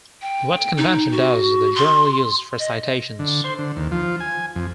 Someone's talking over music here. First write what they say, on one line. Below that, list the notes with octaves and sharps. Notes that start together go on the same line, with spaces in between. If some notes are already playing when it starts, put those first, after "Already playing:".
What convention does the journal use for citations?
G5
D#4
F#4
C6
D#5
D3
C5
D3
D#2
F3
G#5
F2